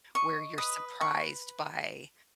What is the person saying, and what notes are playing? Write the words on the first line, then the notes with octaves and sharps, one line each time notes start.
where you're surprised by,
D#5 C#6
B4 D#6
B4 C#6